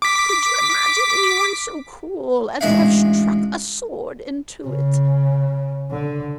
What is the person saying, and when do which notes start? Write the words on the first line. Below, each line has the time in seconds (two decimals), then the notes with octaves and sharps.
Could you imagine any one so cruel as to have struck a sword into it?
0.02 D6 B6
2.61 A1 G#3 D4 E5 F5
4.66 C#3
5.91 D3